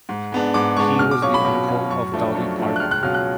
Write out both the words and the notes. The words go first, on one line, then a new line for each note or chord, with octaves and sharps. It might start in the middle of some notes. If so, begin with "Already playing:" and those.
He was the uncle of Dolly Parton.
G#2
G#3 B3 D4
G#2 D6
G#3 B3 D4 C#6
B2 F6
D6
F#3 C#4 F4 C#6
B5
B2
F#3 C#4 F4
F#2 C#6
F3 A3 D4
F#2
F3 A3 D4
F#6
C#2 F6
F#6
B2 F#3 C#4 F4 F6
F#6